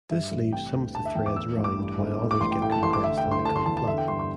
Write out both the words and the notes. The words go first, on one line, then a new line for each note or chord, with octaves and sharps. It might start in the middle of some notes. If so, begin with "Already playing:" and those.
This leaves some of the threads round while others get compressed and become flat.
G2 E5
A1
C3 G5
D2
D3 A5
E5
E2 G5
D6
A2 E6
A1
D6
G2
G1
A2
D6
A1 C6
G5
A2 G5
A5
A1 C6
D6
D3 E5
G5
D2
C6
D3 A5
C6
E2 A5
A5
D3 E5
G5
G2 C6
C6